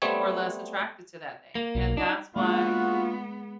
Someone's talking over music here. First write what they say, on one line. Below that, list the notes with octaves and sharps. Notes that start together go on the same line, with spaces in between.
or less attracted to that thing, and that's why
G3 A3 B3 C4 C#5
A#3
B1
D4 D#4
G#3 A#3 B3 D4 F4 G#4 F#5 C#6